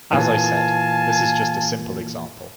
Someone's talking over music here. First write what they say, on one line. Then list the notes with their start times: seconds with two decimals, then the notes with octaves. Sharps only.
As I said, this is just a simple example.
0.13 A#2 E3 F5 G#5 A5